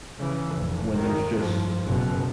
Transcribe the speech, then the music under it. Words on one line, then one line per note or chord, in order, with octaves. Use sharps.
when there's just
C#3 E3
F1 A#1
D#3
G2 F3
F#1 B2